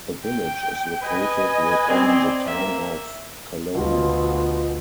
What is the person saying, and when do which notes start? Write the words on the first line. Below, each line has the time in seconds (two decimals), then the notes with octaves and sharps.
The village is located within the Town of Coloma.
0.25 G5
1.03 B4 D#5 G#5
1.88 C4 D5
2.46 A#3 E5
3.75 D2 B2 F4